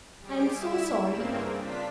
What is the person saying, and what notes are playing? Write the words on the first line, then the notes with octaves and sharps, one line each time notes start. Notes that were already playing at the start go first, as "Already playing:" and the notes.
I'm so sorry.
G3 G4 G#4 D7
E4 E5 E7
G2 C#3 A#3 C4
D4 F4 B6